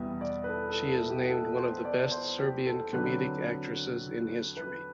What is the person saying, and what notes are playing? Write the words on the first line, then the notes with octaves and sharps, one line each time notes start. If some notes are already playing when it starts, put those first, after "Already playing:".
She is named one of the best Serbian comedic actresses in history.
Already playing: E2 B2 G3 B3 E5
D5
B4
A4
A4
A4
G4
A4
C5
D5
C5
G4
A4
D3 F#3 C4 B4
B4